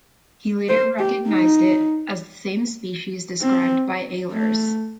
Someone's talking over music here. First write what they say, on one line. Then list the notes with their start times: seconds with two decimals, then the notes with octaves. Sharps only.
He later recognised it as the same species described by Ehlers.
0.69 C5
0.99 G4
1.29 D#4
3.41 C4
4.33 A3